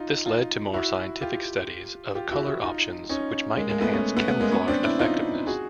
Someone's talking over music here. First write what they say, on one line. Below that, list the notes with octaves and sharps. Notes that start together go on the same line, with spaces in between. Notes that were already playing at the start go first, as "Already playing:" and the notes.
This led to more scientific studies of colour options which might enhance camouflage effectiveness.
Already playing: D#4 F4
D#4 F4
E4 F#4
F4 G4
F4 G4
E4 F#4
E4 F#4
D#4 F4
C#4 D#4
G#3 A#3
G#3 A#3
A3 B3
B3 C#4
A3 B3
A3 B3
G#3 A#3
B3 C#4
C4 D4
D4 E4
D#4 F4
F#4 G#4